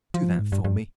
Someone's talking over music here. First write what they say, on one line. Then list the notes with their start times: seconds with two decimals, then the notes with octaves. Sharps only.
Do that for me.
0.14 F3
0.39 G#2
0.52 G2
0.64 G2